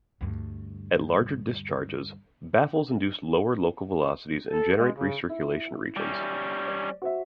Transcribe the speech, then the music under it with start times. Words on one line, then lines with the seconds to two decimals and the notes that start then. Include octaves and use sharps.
At larger discharges, baffles induce lower local velocities and generate recirculation regions.
0.21 D2 G2
4.50 A4
4.79 G#3
4.95 C#3
5.29 E4
5.97 G3 C#4
6.68 D5
7.02 F#4 C5 E5